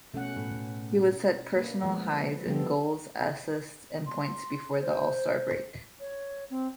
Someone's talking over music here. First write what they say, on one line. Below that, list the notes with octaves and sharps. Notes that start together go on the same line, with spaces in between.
He would set personal highs in goals, assists and points before the All-Star Break.
B2 A3 C#4 F#5
A2
A#3 D4 B4
F3 G#3 B3
F3 G3 B3 F4 G4 A4
C6
C5
C#5
C4